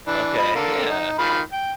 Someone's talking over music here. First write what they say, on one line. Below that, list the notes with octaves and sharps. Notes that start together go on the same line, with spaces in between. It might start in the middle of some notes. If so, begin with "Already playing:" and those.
Okay, yeah.
E3 D4
F3 D#5 B5
D3 A#3 A4
D#4
D#3 F4 B5
G5